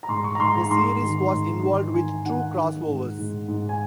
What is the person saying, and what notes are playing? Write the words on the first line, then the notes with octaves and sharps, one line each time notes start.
The series was involved with two crossovers.
A#5
G#2 C6
C#6
A#5
G#2 C6
A#5
G#2 C6
D#3
G#2
D#3
D#3 G#5
D#3 F#5
D#3
G#2
G#2
G#2
G#5